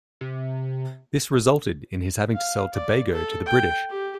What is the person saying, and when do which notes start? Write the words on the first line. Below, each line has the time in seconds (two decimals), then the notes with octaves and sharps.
This resulted in his having to sell Tobago to the British.
0.21 C3
2.34 F5
2.73 D5
3.12 A4
3.46 G5
3.89 G4